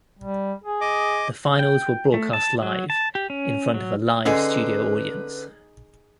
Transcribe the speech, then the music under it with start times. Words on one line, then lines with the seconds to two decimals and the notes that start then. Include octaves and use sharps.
The finals were broadcast live, in front of a live studio audience.
0.19 G3
0.64 G#4
0.81 D#5 D6
1.59 G5
2.14 A3
2.33 A5
2.63 F#3
2.90 A5
3.15 G4
3.30 C#4
3.74 F#3
4.26 D3 C#4 D#4 G#4 B4 C6